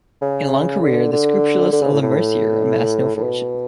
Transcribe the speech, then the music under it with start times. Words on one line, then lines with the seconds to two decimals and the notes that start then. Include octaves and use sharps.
In a long career, the scrupulous Lemercier amassed no fortune.
0.22 C#3
0.82 D3
1.12 D3
1.72 D3
1.82 C#3
1.92 A2
2.02 A2
3.16 A2
3.23 B2